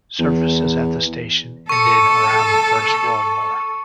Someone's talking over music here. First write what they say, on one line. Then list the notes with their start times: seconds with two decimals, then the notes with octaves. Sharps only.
Services at the station ended around the First World War.
0.19 E2
1.69 A4 C#6 C#7